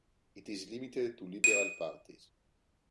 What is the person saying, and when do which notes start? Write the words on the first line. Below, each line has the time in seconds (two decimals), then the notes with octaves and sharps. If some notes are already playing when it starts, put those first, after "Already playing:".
It is limited to liberal parties.
1.44 D#7